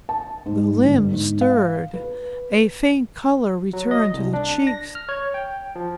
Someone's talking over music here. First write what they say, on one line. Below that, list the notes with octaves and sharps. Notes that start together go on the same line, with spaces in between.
The limbs stirred, a faint color returned to the cheeks.
A5
G#2
G1
G#2
F5
B4
F#3
D#5
C2
D4
A#6
F6
C#5
G5
F3